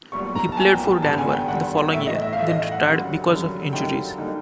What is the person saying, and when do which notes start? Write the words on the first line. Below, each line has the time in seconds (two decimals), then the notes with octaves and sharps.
He played for Denver the following year, then retired because of injuries.
0.12 B1 A#2 G3 B3 C#6
0.35 A#5
0.52 A5
0.57 B1 A#2 G3 B3 G#5
0.73 G5
1.02 G#1 G2 D3 G3 B3 A5
1.18 G#5
1.32 G5
1.47 G#1 G2 D3 G3 B3 F#5
1.93 A2 E3 A3 E5
2.07 D#5
2.22 E5
2.33 F5
2.37 A2 E3 A3 E5
2.48 D#5
2.72 F#5
2.83 F#1 F#2 D3 G3
3.27 F#1 F#2 D3 G3
3.73 F#2 D3 G3 A#3 D#4 G5
4.18 D3 G3 A#3 D#4